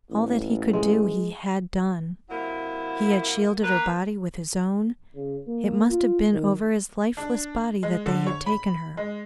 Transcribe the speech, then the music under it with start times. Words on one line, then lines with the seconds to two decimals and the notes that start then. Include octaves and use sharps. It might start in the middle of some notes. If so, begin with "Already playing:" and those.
All that he could do he had done, he had shielded her body with his own, it must have been over his lifeless body that they had taken her.
0.11 A1
0.73 G#3
2.30 C3 F#3 A#3 E4
3.62 A#3 B4
5.15 C#3
5.48 A#3
5.90 F4
6.33 D#3
7.17 D4
7.83 G#3
8.06 D3
8.27 C#5
8.46 B5
8.97 G#3